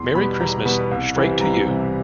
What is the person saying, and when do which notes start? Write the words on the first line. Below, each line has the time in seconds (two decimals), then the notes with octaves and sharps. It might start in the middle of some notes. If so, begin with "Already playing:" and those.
Merry Christmas Strait to You!
Already playing: E2 C6
0.15 B2 G3 B3 B5
0.40 E2 A#5
0.65 B2 G3 B3
0.91 C2
1.16 C3 E3 G3
1.40 C2 A#5
1.66 C3 E3 G3